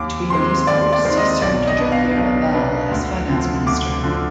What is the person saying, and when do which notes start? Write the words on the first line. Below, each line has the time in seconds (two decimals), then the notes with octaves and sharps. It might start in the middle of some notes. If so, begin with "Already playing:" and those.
Between these posts he served under Pierre Laval as Finance Minister.
Already playing: D#2 D6
0.30 D#3 G#3 C4 C6
0.67 D#2 D5
0.93 D5
1.05 D#3 G#3 C4
1.17 D#5
1.42 B1 D5
1.67 D#5
1.79 B2 B3 D4
1.92 F5
2.17 B1
2.54 B2 B3 D4
2.91 D2
3.29 D3 F3
3.66 D2 D6
4.03 D3 F3